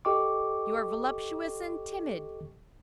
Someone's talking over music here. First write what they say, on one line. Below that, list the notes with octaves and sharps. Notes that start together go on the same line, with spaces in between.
You are voluptuous and timid!
G4 A4 D#5 G5 C#6 D6